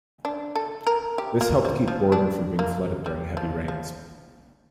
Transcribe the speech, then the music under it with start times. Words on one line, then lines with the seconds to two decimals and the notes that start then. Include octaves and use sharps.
This helped keep Borden from being flooded during heavy rains.
0.25 D4
0.55 A4
0.87 A#4
1.18 G4
1.41 A#3
1.65 G3
1.88 F3
2.12 D4
2.59 A#3
3.06 G3
3.37 F3
3.68 F3